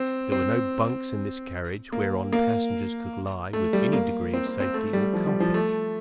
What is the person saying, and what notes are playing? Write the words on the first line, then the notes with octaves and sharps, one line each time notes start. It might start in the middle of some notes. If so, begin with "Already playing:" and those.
There were no bunks in this carriage whereon passengers could lie with any degree of safety or comfort.
Already playing: C4
C4
A#3
A#3
A3
G3
A#3
C4
C4
C4
A3
G3
F3
G3
F3
A3